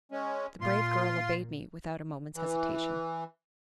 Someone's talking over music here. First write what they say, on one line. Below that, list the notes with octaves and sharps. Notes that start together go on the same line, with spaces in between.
The brave girl obeyed me without a moment's hesitation.
G#3 C#4
A#2 F4 C6
E3